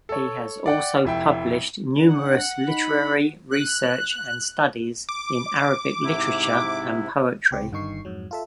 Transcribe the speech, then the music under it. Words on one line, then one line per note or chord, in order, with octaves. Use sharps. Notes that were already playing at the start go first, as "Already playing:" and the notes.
He has also published numerous literary research and studies in Arabic literature and poetry.
A4 C#5
D5 F#5 G5
F1 E4 G5
D4 F#5
D#4 B5
F#6
D6
G#2 C3 E4
C#2 C3 G4
G1 G2 D#3 D#4 C#6 C7
F2 G#2 F#3
F4 A4 E5